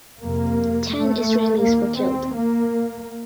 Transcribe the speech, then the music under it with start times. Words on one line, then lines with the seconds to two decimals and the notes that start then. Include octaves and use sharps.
Ten Israelis were killed.
0.20 F2 C3 A#3
0.91 A3
1.63 D#2 A#3
1.99 C4
2.35 A#3